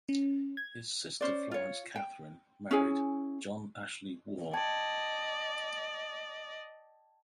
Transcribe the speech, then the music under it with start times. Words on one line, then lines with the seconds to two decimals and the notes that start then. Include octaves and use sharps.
His sister Florence Catherine married John Ashley Warre.
0.09 C#4
0.57 G#6
1.21 C#4 C5 D5
1.51 F4 C#5
1.96 G5
2.71 C#4 E4 G#4 G#5
4.54 D5 D#5 G5 A5 G#6